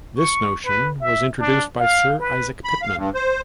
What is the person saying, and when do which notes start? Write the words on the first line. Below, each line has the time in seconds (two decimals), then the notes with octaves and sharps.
This notation was introduced by Sir Isaac Pitman.
0.17 C#6
0.65 B4
1.01 E5
1.39 D4
1.80 F5
2.20 B4
2.65 B5
2.82 F5
2.96 G2
3.15 C5